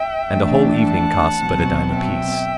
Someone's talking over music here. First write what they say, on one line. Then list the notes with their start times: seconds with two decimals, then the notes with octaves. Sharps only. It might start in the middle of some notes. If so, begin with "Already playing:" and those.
And a whole evening costs but a dime apiece.
Already playing: E5 G5
0.28 E3 A3 D4
0.83 F#5 A5
1.38 B2 F#3 C4
1.93 E5 G5